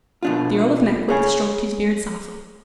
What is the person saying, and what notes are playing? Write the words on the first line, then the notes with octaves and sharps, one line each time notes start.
The Earl of Mackworth stroked his beard softly.
B2 D4 F4
G#4 C#5 G#5